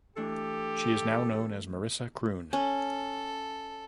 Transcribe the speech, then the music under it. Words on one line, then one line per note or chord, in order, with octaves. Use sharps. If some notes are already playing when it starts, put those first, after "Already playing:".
She is now known as Marissa Kroon.
E3 A3 D4 G4 A4
C#4 A4